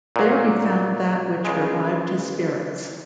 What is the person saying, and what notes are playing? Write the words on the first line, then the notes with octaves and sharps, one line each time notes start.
There he found that which revived his spirits.
A#2 F#3
C#2 C#3 G#3